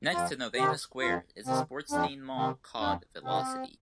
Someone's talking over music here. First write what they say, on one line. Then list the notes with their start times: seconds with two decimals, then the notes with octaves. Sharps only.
Next to Novena Square is a sports-themed mall called Velocity.
0.13 F2 F4
0.57 C3 D#3 G4
1.01 F2 F4
1.46 C3 D#3 C4
1.91 F2 D4
2.36 C3 D#3 C4
2.80 F2 D4
3.24 C3 D#3 C4